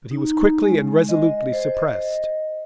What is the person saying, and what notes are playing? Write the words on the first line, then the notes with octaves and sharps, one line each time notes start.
But he was quickly and resolutely suppressed.
D#4
G#3
D#5
C5
D#5